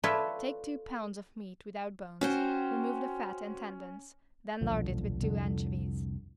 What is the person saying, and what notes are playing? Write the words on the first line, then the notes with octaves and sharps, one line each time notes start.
Take two pounds of meat without bones, remove the fat and tendons, then lard it with two anchovies.
F4 A4 B4 C#5 D5 E5
C#4 F#4 C5 G5
D#1 B1 D3 F3
C2 F2 D3